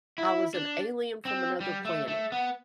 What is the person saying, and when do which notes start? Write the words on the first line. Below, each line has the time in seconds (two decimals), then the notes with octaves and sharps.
I was an alien from another planet.
0.18 E4
0.54 D4
1.25 C4
1.60 G3
1.85 A3
2.08 A3
2.32 B3